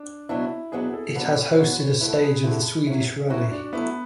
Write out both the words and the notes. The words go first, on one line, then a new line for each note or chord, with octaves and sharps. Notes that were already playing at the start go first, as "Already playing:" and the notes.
It has hosted a stage of the Swedish rally.
Already playing: D4
B2 F#3 B3 D4 E4
B2 F#3 B3 D4 G#4
A4
D3 F#3 B3 D4 B4
C#5
D3 F#3 B3 D4
C#5
D3 A3 E4 B4
G#4
D3 A3 E4
F#3 C#4 E4
F#3 C#4 E4 F#4
D4
F#3 A3 B3 E4